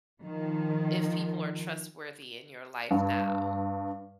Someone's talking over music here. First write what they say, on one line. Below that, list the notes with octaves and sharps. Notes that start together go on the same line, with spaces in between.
if people are trustworthy in your life now?
D#3 F3
G2